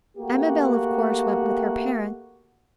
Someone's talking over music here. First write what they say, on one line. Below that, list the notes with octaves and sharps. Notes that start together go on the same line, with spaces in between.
Amabel, of course, went with her parents.
A3 A#3 F#4 G4